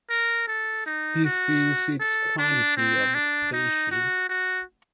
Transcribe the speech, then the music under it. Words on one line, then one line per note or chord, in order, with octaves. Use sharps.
This is its quantity of extension.
A#4
A4
D#4
F#4
A4
D4
C4
D4
D#4
F#4
F#4